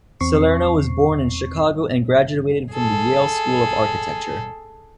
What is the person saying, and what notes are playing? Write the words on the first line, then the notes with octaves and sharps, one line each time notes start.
Salerno was born in Chicago and graduated from the Yale School of Architecture.
E2 C4 C#6 C7
G#4 A4